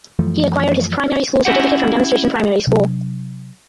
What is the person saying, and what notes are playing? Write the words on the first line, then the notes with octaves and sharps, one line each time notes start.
He acquired his primary school certificate from Demonstration primary school.
F#2 E3 F3 A3
C#4 E4 F#4 G4 F#5
C3 F#3 D4